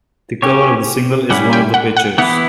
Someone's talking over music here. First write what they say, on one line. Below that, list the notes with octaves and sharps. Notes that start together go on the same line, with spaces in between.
The cover of the single is one of the pictures.
C#4 G4 C#5
G3 C#4 E4 F#5
G5
F#5
F#5
E3 B3 E4 F#5